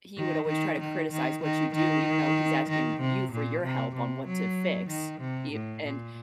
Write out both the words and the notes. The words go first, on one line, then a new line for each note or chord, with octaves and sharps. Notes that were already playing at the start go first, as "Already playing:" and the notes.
he would always try to criticize what you do, even though he's asking you for your help on what to fix, you and h
D#3
D#3
D#3
D#3
D#3
D#3
D#3
C3
A#2
C3
C3
F#3
D#3
C3
A2
A#2